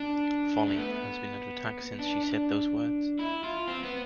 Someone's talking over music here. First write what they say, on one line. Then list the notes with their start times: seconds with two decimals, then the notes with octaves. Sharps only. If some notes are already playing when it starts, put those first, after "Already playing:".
Foley has been under attack since she said those words.
Already playing: D4
0.68 A3
0.78 B3
1.99 D4
2.23 D4
3.19 E4
3.43 F4
3.68 C4
3.84 B3